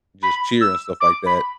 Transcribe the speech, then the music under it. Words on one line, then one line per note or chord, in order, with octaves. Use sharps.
just cheer and stuff like that,
B5
E6
D6
B5